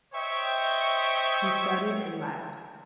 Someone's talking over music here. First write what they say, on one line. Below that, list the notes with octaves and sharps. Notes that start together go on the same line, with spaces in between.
He started, and laughed.
C5 C#5 D#5 E5 G5 C#6